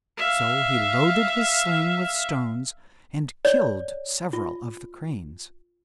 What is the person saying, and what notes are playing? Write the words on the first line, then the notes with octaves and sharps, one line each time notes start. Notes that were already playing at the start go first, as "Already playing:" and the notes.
So he loaded his sling with stones and killed several of the Cranes.
E5 F5
C#5 D5
F4